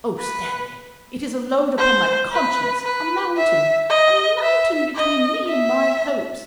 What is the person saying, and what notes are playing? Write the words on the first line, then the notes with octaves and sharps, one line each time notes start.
Oh, Stanley, it is a load upon my conscience--a mountain--a mountain between me and my hopes.
B4
C5
B4
B4
E5
D#5
E5
D#5
E5